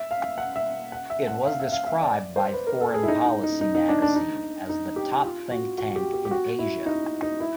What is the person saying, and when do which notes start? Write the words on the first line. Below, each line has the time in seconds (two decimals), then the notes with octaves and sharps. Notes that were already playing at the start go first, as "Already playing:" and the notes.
It was described by "Foreign Policy" magazine as the top think tank in Asia.
Already playing: E5
0.11 F5
0.38 F#5
0.56 E5
0.92 F#5
1.10 E5
1.27 F#5
1.46 F5
1.60 E5
1.72 F5
1.87 E5
2.00 D5
2.36 C5
2.53 B4
2.67 A#4
2.81 A4
2.94 G#4
3.03 E4
3.08 D#4
3.26 D#4
3.43 D#4
3.61 D#4
3.75 D#4
3.89 D4
4.02 D4
4.16 D#4
4.69 D#4
4.96 G4
5.24 F4
5.51 F#4
5.78 F#4
5.90 F#4
5.96 G4
6.13 G4
6.25 G4
6.31 F#4
6.59 E4
6.86 D#4
7.22 D#4
7.40 E4